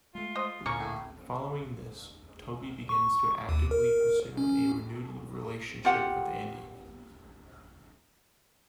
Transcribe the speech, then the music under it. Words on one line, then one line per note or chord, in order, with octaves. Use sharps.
Following this, Toby begins to actively pursue a renewed relationship with Andy.
G#3 A3 F4
C5 D#5
D2 A#2 C#3 A#3 C#6
A2
C#6
D#2
A#4
C#4
F4 G4 F#5 G5